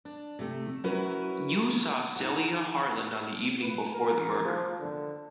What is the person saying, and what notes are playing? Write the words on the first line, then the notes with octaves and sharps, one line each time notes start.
You saw Celia Harland on the evening before the murder.
D4
C3 A3
F#3 C#4 E4 F#4 A#4 B4
D#4 F#5
B4
A#4
F3
D3